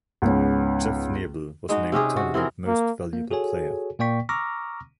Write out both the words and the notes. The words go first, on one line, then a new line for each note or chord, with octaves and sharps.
Jeff Nebel was named Tournament Most Valuable Player.
C#2 G#2 B3 C#4
G#3 D#4 F#4
C3 C#4 G4 G#4
F#4
E3 C4 G#4 A#4
A#3
A#3
F#4 G#4 A4 C#5 G#5
A#2 A#3 D5 G5 C#6 B6
A#5 C#6 D6 E6 F6 A#6